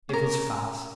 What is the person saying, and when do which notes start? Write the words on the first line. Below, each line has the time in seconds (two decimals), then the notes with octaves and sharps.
It was fast.
0.09 C#4 A#4